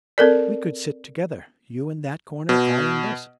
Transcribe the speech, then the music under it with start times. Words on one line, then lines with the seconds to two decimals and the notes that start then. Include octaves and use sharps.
We could sit together, you in that corner, I in this.
0.18 C4 A4 A#4 D5
2.49 B2